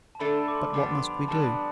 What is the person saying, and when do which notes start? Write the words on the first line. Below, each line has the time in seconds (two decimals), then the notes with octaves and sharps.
But what must we do?
0.15 A5
0.20 D3 A3 D4 A4 B5
0.38 B5
0.48 D6
0.55 C6
0.73 F2 D3 G3 B3 D4 D6
0.92 C6
1.10 B5
1.28 F2 D3 G3 B3 D4 A5
1.46 B5